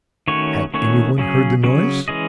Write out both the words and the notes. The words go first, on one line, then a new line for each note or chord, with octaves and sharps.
Had any one heard the noise?
D#3 A3 C#4 F#4 C#5
D#3 A3 C#4 F#4 C#5
C#3 F#3 C#4 G#4
C#3 F#3 C#4 G#4
E3 G#3 C#4 G#4 D#5